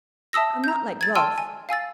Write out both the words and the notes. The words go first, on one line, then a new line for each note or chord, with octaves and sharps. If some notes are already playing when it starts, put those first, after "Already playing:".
I'm not like Ralph.
E5 A5 D#6 E6 A#6
A#5 G6
G#6 A6
G5 A5 C6 E6 F6 D#7
G#5
F5 G#5 E6 A6